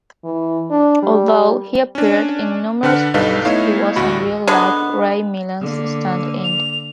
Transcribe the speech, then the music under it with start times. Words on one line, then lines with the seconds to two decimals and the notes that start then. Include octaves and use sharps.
Although he appeared in numerous films, he was in real-life Ray Milland's stand-in.
0.24 E3
0.71 D4
1.03 G3
1.95 C#4 D4
2.83 D3 D4 B4 F#5 F6
3.14 B1 G2 D#4 A4 B4 F5
3.45 A3 B3 D#4 E4 C#5 F5
3.96 A1 D2 F#4 B5
4.48 D3 G#3 B3
5.61 D3 A#3
6.44 F7